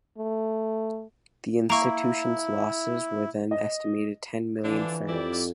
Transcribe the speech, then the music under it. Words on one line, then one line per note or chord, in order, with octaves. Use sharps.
The institution’s losses where then estimated ten million Francs.
A3
A#3 E4 A#5 C#6
D#5
D3 E3 F3 D4
F2 E4 G4 D5